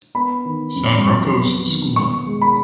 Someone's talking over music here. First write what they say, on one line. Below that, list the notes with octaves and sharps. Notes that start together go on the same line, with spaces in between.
San Rocco’s School.
B3 B5
D#3
F2
F#3
B3
D#3
B2 C#6
G#3
B5